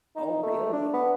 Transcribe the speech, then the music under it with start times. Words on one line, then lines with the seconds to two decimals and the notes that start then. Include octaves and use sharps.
Oh, really?
0.16 D#4
0.43 A3
0.73 D4
0.93 B3